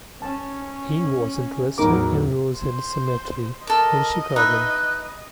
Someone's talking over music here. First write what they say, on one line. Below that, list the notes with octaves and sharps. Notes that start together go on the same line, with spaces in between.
He was interred in Rosehill Cemetery in Chicago.
C#4 A5
E2 A2 F#3 D#4 A#4 D6
C5
A4 A#4 D#5 D6
D#4 B4 E5 F#6